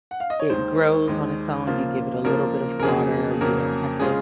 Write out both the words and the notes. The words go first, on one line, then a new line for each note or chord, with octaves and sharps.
it grows on its own, you give it a little bit of water, you don't have to
F#5
F5
D#5
C#5
D#2 D#3 G#3 D#4 C5
D#2 D#3 G#3 D#4
C#3 F3 A#3 F4
C#3 F3 A#3 F4 A#4
A#4
F2 C#3 F#3 A#3 G#4
F2 C#3 F#3 A#3 A#4
C#3 G#3 C#4 F4 G#4